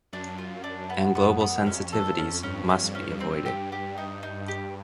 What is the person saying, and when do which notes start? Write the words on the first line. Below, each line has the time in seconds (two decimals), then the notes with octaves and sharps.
And global sensitivities must be avoided.
0.13 F#2 D4
0.38 F4
0.64 D4
0.90 B3
1.15 B3
1.40 B3
1.66 F2 C#4
1.93 A4
2.05 F2
2.18 C#4
2.43 G2 C#4
2.69 C#4
2.95 C#4
3.20 C4
3.46 G4
3.72 G4
3.98 G2 D#4
4.23 D#4
4.48 G4